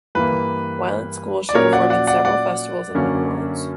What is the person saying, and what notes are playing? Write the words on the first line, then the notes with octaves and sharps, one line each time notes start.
While in school she performed in several festivals and won awards.
G2 E3 A#3 B4
D5
A#2 F#3 C#4 A#4 C#5
D5 F#5
D5 F#5
D5 F#5
D5 F#5
F#2 D3 A#3 C#4